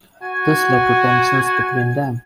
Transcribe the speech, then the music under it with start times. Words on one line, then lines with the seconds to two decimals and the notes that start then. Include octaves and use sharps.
This led to tensions between them.
0.23 F#4 G#5